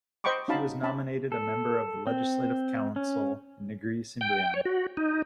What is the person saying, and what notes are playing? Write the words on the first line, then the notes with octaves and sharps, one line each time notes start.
She was nominated a member of the Legislative Council in Negri Sembilan.
C5 D#5 G5 B5 C#6 D6
C#4 D#4 F#4 F5 A5 B5
C#4 A5 B5
A4
C4
C#4
G5
C#5
F#4
D#4